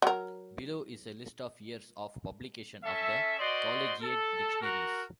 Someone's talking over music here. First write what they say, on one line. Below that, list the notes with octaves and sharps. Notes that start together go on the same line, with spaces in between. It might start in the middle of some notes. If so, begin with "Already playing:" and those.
Below is a list of years of publication of the Collegiate dictionaries.
F#3 A#4
C#4 A4 E5
F#4 C5 D5 D#5 C6
A4
F#4 A#4